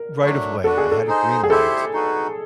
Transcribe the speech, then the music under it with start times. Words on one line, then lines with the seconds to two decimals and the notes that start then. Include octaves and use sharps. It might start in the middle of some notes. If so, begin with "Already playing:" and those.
right of way, I had a green light,
Already playing: A#4
0.22 F#3 A3 D4
0.64 B3 D4 F#4 A4 B4
0.78 G#4
0.92 A4
1.07 D#4 G#4 C5 D#5
1.43 G#4
1.50 E4 G4 A4 C5 E5
1.93 D#4 F#4 B4